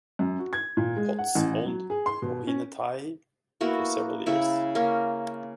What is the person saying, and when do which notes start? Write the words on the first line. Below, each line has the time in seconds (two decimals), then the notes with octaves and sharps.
Potts owned Ohinetahi for several years.
0.19 F#2
0.39 F#4
0.53 G#6
0.77 A#2
0.96 G#3
1.19 F#5
1.35 A1
1.66 F#3
1.90 G#4
2.06 C6
2.22 B2
2.47 C#4
3.61 A#3 B3 E4 F#4
4.26 C#3 E4 C#6
4.75 A#3 C#4